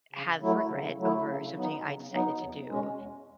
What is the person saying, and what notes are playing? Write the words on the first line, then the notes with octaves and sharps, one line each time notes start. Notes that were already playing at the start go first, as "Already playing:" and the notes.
have regret over something I decided to do,
C#3
F#3 A3 E4
C#3
F#3 A3 E4
C#3
F#3 B3 D#4
C#3
F#3 B3 D#4
E2
B2 G#3 C#4
E2